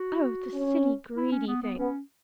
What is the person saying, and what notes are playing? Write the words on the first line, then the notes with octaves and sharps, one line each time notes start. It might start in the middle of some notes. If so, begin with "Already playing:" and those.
Oh, the silly, greedy thing!
Already playing: F#4
C#4
E4
C#4
B3
B3
B3 C#4